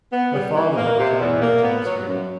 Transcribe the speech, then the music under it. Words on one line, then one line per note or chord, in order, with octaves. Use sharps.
Her father had retired home to Nottingham.
B3
G3
E3
A#3
C3
E2
A#3
B3
F#3
F#2